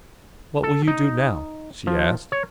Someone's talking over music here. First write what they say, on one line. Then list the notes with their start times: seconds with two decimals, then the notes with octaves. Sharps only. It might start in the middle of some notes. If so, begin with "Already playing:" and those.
"What will you do now?" she asked.
0.63 A4
0.87 D#4
1.87 F3
2.32 C#5